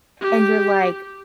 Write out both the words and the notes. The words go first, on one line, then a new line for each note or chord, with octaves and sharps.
and you're, like,
G4